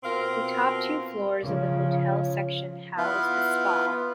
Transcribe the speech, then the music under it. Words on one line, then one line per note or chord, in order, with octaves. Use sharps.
The top two floors of the hotel section house a spa.
B2 C4 F4 A#4 F5
C#3 F3
B3 E4 F4 B4 F5